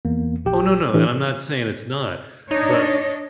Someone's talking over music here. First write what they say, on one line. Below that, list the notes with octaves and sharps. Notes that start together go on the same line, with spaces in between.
Oh, no, no. And I'm not saying it's not, but
E2 A#3
A#1 G4 G5
A2 E3 D4 G4 A4
D4 D#4 C#5 D#5